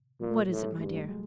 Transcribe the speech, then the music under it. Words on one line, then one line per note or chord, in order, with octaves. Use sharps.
"What is it, my dear?"
A#2 F3 G3
F#3 G#3
A2 G3 A3
G3 A3
G2 G#3 A#3
G3 A3
F#3 G#3